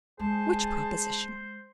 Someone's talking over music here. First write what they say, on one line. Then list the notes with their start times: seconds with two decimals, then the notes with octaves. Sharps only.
"Which proposition?"
0.19 G#3 G#4 C5 A5